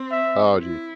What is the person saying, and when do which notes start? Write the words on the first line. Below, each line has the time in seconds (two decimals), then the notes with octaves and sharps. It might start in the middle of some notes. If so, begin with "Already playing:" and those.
Oh, geez
Already playing: C4
0.11 E5
0.62 E4